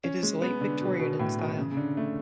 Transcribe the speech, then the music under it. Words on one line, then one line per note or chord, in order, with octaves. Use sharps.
It is Late Victorian in style.
C#4
G#3
B3
D3
B2
B2
A2
B2
C#3
C#3
D3
A3